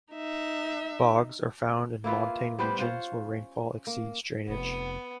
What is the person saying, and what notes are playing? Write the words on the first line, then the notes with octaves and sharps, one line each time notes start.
Bogs are found in montane regions where rainfall exceeds drainage.
D#4 E5
A#3 E4 F4 B4
G3 B3 B4 C5
C#4 F4 C5 F#5
A#3
F1 B3